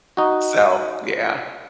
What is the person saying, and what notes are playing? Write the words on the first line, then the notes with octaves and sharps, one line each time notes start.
So, yeah.
D#4 F#4